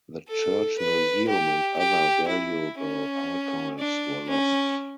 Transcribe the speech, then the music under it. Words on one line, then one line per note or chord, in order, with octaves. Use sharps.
The church museum and other valuable archives were lost.
A4
B4
G4
G4
E4
C#4
D4
C#4